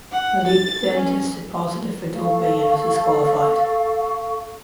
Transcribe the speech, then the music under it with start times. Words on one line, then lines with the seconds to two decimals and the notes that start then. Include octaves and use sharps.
Malik then tested positive for doping and was disqualified.
0.12 F#5
0.48 A6
0.94 C#4
2.13 A4 F5 C#6